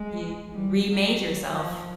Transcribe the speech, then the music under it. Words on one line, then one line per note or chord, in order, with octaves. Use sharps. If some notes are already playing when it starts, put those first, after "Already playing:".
You remade yourself.
Already playing: G#3
G3
F#3
F3